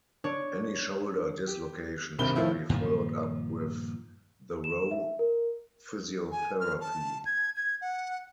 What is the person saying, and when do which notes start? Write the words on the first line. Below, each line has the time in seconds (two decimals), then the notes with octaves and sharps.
Any shoulder dislocation should be followed up with thorough physiotherapy.
0.24 D4 C#5
1.47 G4
2.19 C2 G2 D#3 C4 B5 G7
2.36 A2 D#3 F3 E4
2.69 G2 A#2 D#3 F3
4.64 E7
4.91 E5
5.19 A#4
6.31 G#5
6.60 F6
6.81 A5
7.26 G#6
7.56 G#6
7.81 F#5